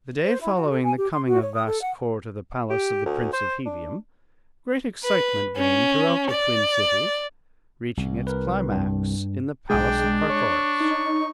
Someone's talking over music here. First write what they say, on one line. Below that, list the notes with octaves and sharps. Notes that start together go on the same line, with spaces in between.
The day following the coming of Vas Kor to the palace of the Prince of Helium great excitement reigned throughout the twin cities, reaching its climax in the palace of Carthoris.
C5
E4
F#4
A4
G#5
G4
C6
F#4
C#5
D#6
A4
F#5
G4
D2
C5
D4
B4
C#4
D5
C2
A#4 B4
G2
B1 G#3 D4 G#4 G5
C#5 C#6
D#4